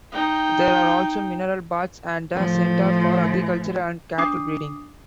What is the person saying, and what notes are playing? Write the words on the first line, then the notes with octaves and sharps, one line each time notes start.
There are also Mineral Baths and a center for agriculture and cattle-breeding.
D#4 G5
A2 F3
D4 D6 D#6 C7